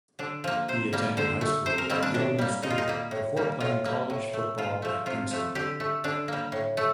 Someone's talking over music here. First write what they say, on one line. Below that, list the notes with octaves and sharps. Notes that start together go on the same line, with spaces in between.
He attended high school at Gilman School before playing college football at Princeton.
D3 D4
F3 A#3
C3 C5
G3 A#3
D3 C5
A3
C3 C5
A#4
D#3 G3 A#3 C4
D4
A2 D4
G3 A#3
A#2 D#4
F4
D#4
G3 A#3
A2
G3 A#3
A2 F4
G3 A#3
A2
A3
A#2 F4
F3 A3
C3 F4
F3 A3
D3 G4
A3
D3 D4
G3 A#3
A2
A3